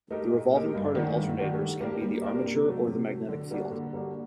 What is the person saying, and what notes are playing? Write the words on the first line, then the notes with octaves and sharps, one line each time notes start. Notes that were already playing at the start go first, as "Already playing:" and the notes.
The revolving part of alternators can be the armature or the magnetic field.
A3 D#4 G4 A#4
A#2
A3 D#4 G4 A#4
G2
D#3 A3 D4 F#4
G2
D#3 A3 D4 F#4
G3
A#3 D4 G4 A#4
G3
A#3 D4 G4 A#4
C3
F#3 A3
C3
F#3 A3
D3
G3 A#3 D4 F#4
D3
G3 A#3 D4 F#4